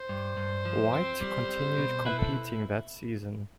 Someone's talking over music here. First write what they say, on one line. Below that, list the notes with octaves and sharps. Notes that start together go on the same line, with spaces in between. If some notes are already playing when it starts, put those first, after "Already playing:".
White continued competing that season.
Already playing: C5
G2
G2
F3
C4
G3
C4
B2
E4 B4
A4